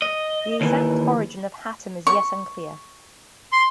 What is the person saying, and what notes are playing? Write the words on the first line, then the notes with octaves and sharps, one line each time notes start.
The exact origin of "Hattem" is yet unclear.
D#5
D#2 E3
C#6
C6